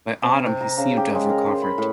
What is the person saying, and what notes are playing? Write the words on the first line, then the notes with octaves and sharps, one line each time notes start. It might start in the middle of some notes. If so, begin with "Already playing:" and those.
By autumn he seemed to have recovered.
C3
C3
A#5
C#3
G4
G#3
A#4
C5
B5
A2